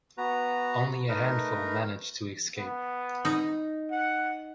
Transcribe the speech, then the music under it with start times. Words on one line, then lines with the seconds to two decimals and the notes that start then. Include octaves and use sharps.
Only a handful managed to escape.
0.18 B3 F#4 B4 A#5
1.09 A3 D#4 A#4 B4
2.58 B3
3.25 D#4
3.91 F#5